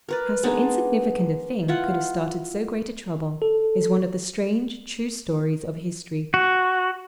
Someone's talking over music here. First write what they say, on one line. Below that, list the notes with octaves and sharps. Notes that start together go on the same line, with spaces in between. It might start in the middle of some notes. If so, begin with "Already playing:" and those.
How so insignificant a thing could have started so great a trouble is one of the strange, true stories of history.
A#4 B4 D5
G#3 B3 D4 D#4
E4 F4 F#5
A4
F#4